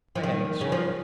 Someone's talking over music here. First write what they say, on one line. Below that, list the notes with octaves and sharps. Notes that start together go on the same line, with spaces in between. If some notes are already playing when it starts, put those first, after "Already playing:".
"I have my sword."
F3
D#3
C#3
F3